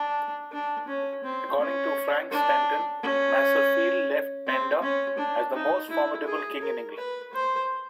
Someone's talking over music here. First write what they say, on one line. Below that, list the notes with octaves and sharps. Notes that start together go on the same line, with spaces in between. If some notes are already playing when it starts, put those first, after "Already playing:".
According to Frank Stenton, Maserfield left Penda as the most formidable king in England.
Already playing: D4
D4
C#4
C4
C#4
D4
C#4
C4
C#4
D4
D#4
E4
G#4
A#4
B4
C5